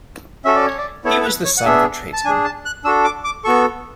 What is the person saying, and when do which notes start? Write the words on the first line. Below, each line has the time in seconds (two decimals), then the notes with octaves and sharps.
He was the son of a tradesman.
0.45 C#4 F#4 A4 E5
0.55 D5
0.66 C#5
0.78 D5
1.05 B3 E4 A4 C#5
1.21 A4
1.25 B4
1.45 C#5
1.57 F#5
1.65 B3 D4 G#4 E5
2.13 A5
2.25 D4 G#4 G#5
2.44 A5
2.65 F#6
2.85 D4 F#4 A4 E6
3.04 D6
3.24 D6
3.44 B3 F#4 A4 C#6